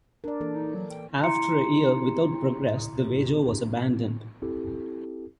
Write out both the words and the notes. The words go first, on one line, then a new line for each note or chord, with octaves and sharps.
After a year without progress, the wager was abandoned.
D4 A#4 D5
E3 A#3 A4
D#4
F#3
G5
E4 A#5 C6 C#7
C4 E4 G4 A4